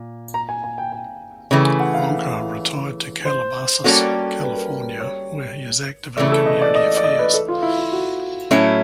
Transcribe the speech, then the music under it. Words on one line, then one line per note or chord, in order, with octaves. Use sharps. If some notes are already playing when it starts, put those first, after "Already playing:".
Ronka retired to Calabasas, California, where he is active in community affairs.
Already playing: A#2
A#5
G#5
G#5
G5
G5
C#3 E3 A3 G5
G#5
F#5
F5
C5
G3 A#3 C#4 F#4 A4
B4
A#4
C#5
C#3 E3 A3 D5
A4
D#5
D5
D#5
D5
D#5
B4
A4
F4
E4
F4
F#4
A2 F#3 A3 C#4 E4